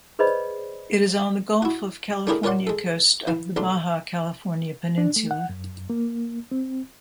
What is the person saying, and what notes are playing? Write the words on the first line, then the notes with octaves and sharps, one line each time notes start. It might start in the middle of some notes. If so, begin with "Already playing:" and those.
It is on the Gulf of California coast of the Baja California Peninsula.
G#4 B4 C5 D5 D#5 B5
E4 F#4
A3 D4 E4 G4 G#4 A#4
F4 A#4 C#5 D5 F#5 C6
G#3 A4
E3 F5
B1 A3 D4 C6
D4
A3
F#5
F#2
A#3
C4